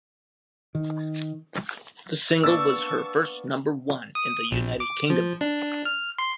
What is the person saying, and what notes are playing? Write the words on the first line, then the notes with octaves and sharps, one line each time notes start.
The single was her first number one in the United Kingdom.
D#3
A#3 B3 D4 D5 A5 C#6 E6 A6
D#6
A#1
D6
F3
D4
F6
C6